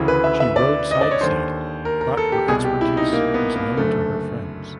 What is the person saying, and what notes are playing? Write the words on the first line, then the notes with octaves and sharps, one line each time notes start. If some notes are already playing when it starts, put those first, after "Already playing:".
She rode side saddle but her expertise was known to her friends.
Already playing: D2 C#3 E3
B4
E5
E5
D5
D#5
D5
C#5
D#2 D3 C5
A#4
A#4
A4
G4
C2 B2 G#4
G4
E4
D#4
A#3
B3
A#3
F#1 F#2 D3 A3